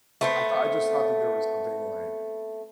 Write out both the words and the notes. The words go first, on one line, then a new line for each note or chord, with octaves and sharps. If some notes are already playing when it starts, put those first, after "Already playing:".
I thought I just thought that there was something like
A3 B3 C4